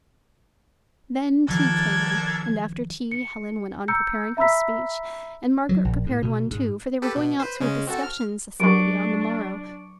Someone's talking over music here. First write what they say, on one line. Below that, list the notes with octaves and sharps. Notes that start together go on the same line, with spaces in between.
Then tea came, and after tea Helen went on preparing her speech, and Margaret prepared one, too, for they were going out to a discussion society on the morrow.
D#3 F3 D4 A4 A#4 G#6
C#7
A#5 E6 G6 C#7
E5 A#5 B5 E6 B6
F#3
A#1
A2
B2
G#2
G4 A4 B4
B2
B4 C5
C#3 G#3 C#4
C4 F#4 A4
F6
F#3 D4 G4 A#4 C#6 D6 D7